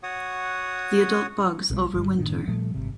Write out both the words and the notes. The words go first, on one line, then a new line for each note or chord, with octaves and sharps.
The adult bugs overwinter.
F#4 C#5 F#5 D#6
B1 B2 G3
G1 G3
F#1 A2 D#3 D4
A#2 F3 G3 A3
G#1 C3